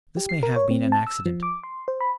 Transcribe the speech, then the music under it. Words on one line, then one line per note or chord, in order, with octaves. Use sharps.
This may have been an accident.
G4
C7
A#4
C#5
C4
A5
E6
F3
D6
C6
C5
B5